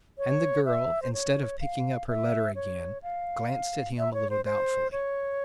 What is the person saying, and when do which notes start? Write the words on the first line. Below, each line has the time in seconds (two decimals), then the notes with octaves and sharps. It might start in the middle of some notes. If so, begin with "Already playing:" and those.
And the girl, instead of picking up her letter again, glanced at him a little doubtfully.
0.18 C#5
0.66 E5
1.02 C5
1.13 C#5
1.61 F5
2.08 E5
2.56 C#5
3.03 F5
3.98 E5
4.14 C#5
4.30 C5
4.45 C5
4.92 C#5